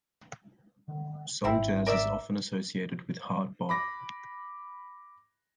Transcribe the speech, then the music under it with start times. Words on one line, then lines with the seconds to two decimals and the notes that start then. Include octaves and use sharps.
Soul jazz is often associated with hard bop.
1.44 G#1 C4 E4
1.87 A#4 D5 E5
3.69 B5 D6 A#6